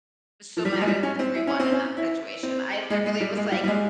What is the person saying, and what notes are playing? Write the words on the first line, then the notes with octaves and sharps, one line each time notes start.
so mad at everyone in that situation, I literally was like,
F3
G3
F3
G#3
G3
C#4
C4
E4
C#4
C4
C#4
E4
C4
G#3
G#3
G3
G#3
G3
G3
G#3